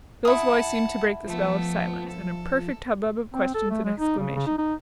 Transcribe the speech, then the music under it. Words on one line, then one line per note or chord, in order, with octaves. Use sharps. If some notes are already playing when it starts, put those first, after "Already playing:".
Phil's voice seemed to break the spell of silence, and a perfect hubbub of questions and exclamations began.
E4 F#5 A5 D#6
F3 A3 B3
A4
C4
A4
A3
G#3
D#4
C#3
C#3
D#4
D#4